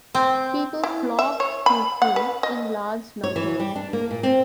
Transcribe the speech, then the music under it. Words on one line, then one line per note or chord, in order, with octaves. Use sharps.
People flocked to him in large numbers.
C4
E4
E5
C#5
B5
F#5
B4
D#5
C#5
E3
G3
D4
A#3
A#2
C4